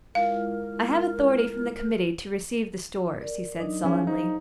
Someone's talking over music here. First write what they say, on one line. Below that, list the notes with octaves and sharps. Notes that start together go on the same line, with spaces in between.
'I have authority from the Committee to receive the stores,' he said sullenly.
G#3 E4 F4 A#4 F5
A#4 D5
F#3 D4 D#4 D#5
F3 C#4 G#4 E5 F5
D#4 C5